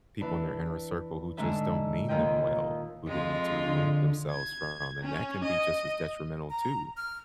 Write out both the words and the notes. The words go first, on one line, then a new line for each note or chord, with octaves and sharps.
people in their inner circle who just don't mean them well, who they need to remove themselves from, and that can be just as detrimental too.
E3 D4
G#2 D3 D4 E5
D#2 A#2 D#3 F4 D#5 G5
F2 G#3 F4
D3
G#6
C#4
D#5
A#5
F6